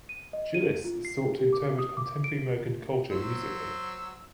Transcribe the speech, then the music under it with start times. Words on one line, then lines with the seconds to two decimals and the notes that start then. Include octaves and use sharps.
Gillis sought to interpret contemporary American culture musically.
0.09 D#7
0.33 D#5
0.54 D#7
0.84 F4
1.05 C7
1.25 G#4
1.38 G4
1.53 D6
1.79 D#6
1.97 D6
2.24 D7
3.12 F#3 C5 E6